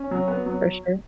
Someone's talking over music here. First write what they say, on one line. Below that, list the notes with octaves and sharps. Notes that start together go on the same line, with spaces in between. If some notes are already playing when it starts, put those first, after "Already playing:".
for sure.
Already playing: C#4
F#3
B3
F#3